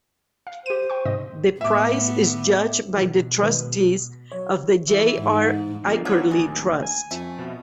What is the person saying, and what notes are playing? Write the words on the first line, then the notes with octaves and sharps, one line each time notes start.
The prize is judged by the trustees of the J. R. Ackerley Trust.
F5
G4 C5 D#7
G5 C#6
G#2 C3 D#5
A2 B3 E5 D6
B2 E3
D#3 G#3 B4
F#3 C#5
E3
G#2
G1 F3 A#3
E2 E3 F#3 D4 F4 C#5
D1 D#2 G#3
G#5
F2 A3
B2